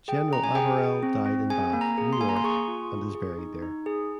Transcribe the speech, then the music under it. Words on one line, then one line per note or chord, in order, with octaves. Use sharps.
General Averell died in Bath, New York, and is buried there.
G#4 G5
C#4 A#5
G#5
G#4 G5
G#4
C4
C4
G#4 G#5
A#3
A#5
G#4
C6
A#3 G#5
A#5
C6
G#4 C#6
F4
G#4
G#4
D#4
D#4
G#4